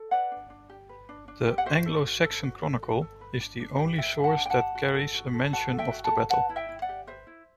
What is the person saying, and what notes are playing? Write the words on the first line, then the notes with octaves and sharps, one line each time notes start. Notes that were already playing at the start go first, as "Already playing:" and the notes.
The "Anglo-Saxon Chronicle" is the only source that carries a mention of the battle.
Already playing: A4
B4 D5 F#5
D4
D4
G4
B4
D4
D4
G4
F#5
F#4 C5 E5
A4
F#4
A4
F#4
A4
F#4
A4
B4
D4
D4
G4
B4 E5 G5
D4
F#5 A5
D4
G5
F#5 A5
G4
F#4
A4
F#4
A4
F#4 F#5 A5
A4
E5 G5
F#4
F#5 A5
A4
B4 F#5 A5
E4
E5 G5
E4
D5 F#5
G4
B4 C5 E5
E4